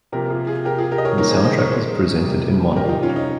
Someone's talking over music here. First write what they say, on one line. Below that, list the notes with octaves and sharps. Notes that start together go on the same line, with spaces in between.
The soundtrack is presented in mono.
C3 F3 A#3 G4 A#4
A#4
F4 G#4
F4 G#4
G4 A#4
F4 G#4
G4 A#4
D#5
A#4 C#5
D#3 A#3 A#4 C#5
G#4 C5
C5 D#5
A#4 C#5
G#4 C5
C3 G3 A#3
G4 A#4
F4
D#4 G4
C#4 F4
D#4